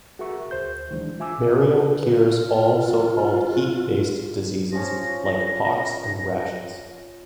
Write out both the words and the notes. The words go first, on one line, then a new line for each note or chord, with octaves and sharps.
Mariamman cures all so-called "heat-based" diseases like pox and rashes.
F#4 G#4 A#4 E5 C#6
D2 C5 G6
D#3 E3 G#3 D4
F4 E5 G#5 D6 E6
B4
F4
F3 C#4 A#6